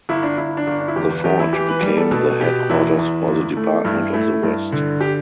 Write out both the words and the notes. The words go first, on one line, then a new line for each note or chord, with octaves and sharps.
The fort became the headquarters for the Department of the West.
G1 E4
D4
G1 E4
D4
G1
D4
E4
E2 G4
B4
E2 G4
E4
E3 G4
B4
G3
A4
B2 A4
B2 G4
E2 E4
E2
G1
A3
G2 E4
A3 E4
G2
D3
G4